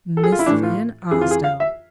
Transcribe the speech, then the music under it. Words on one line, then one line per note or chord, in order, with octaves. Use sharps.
"Miss Van Arsdale!"
A4
G#4
F4
E4
A2 E3 D4
F4
F2 E3 G#4
F4
G#4
F5
E5